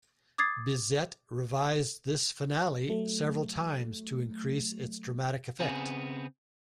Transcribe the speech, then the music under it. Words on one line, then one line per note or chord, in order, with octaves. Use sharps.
Bizet revised this finale several times to increase its dramatic effect.
D6 D#6 G#6 A6 C7
F#3 A3
C#3 B3 C4 G#4